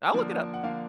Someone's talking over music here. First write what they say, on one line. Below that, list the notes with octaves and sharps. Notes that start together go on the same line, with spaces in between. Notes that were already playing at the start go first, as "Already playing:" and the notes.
I'll look it up.
D3 F3 A#3 D4
F#5
D3 F3 A#3 D4 F5